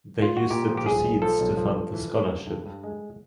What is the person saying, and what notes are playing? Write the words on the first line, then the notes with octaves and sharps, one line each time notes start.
They used the proceeds to fund the scholarship.
F4
F#4
A#2 G4
F3
G4
B1 G#4
B1
F3 A4
B1
F3
F3
E3
E3
G2
G2
G2
G#3